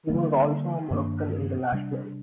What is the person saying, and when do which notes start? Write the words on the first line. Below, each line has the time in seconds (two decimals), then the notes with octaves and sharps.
He was also a Moroccan international.
0.10 D3 G3 A#3
0.91 G2 D#3 A#3 D4
1.72 C3 G3 D4